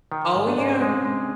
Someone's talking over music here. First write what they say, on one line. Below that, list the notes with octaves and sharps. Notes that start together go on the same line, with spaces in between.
Oh, yeah.
D#3
G#2
D4
G#2 C#4
C4
G#3
G#3